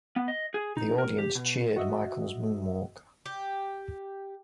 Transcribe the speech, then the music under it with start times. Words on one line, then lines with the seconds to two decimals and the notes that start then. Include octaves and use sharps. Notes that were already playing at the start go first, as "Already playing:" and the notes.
The audience cheered Michael's moonwalk.
0.16 B3
0.28 D#5
0.54 G#4
0.77 D#4
0.98 A#4
1.18 G4
1.35 B2
1.76 F#4 D#5 E5
3.26 G4